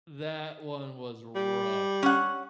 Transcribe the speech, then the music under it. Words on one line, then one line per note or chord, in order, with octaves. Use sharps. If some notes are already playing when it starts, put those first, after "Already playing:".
That one was rough.
G3
C#4 F#5